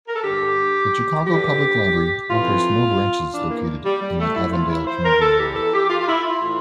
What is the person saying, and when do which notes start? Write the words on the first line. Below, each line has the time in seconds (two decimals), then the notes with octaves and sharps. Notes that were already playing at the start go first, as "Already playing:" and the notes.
The Chicago Public Library operates no branches located in the Avondale community area.
0.08 A#4
0.16 A4
0.24 G2 D3 G4
1.26 G2 D3 G4
2.30 F2 E3 F4
3.32 E2 E3 D4
3.50 A#3
3.85 G3
4.02 G3
4.19 A3
4.35 F2 E3 E4
4.53 F4
4.70 E4
4.87 C5
5.04 A#4
5.21 A4
5.38 E2 E3 G4
5.56 A4
5.73 G4
5.90 F4
6.01 F4
6.07 E4
6.24 F4
6.41 A2 E3